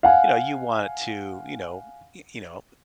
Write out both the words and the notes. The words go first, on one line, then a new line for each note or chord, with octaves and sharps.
you know, you want to, you know y you know,
F5 F#5 G#5